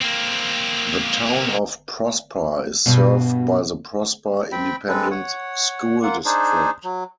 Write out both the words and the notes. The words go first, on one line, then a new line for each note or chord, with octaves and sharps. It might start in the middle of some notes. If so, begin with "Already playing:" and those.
The Town of Prosper is served by the Prosper Independent School District.
A#3 C4
G2 B2
C4 G5 B5
G#3 C4 A4 B4
C#5 F#5
A#3 F4 F#5
D4 D#4 G#4 C5
F#3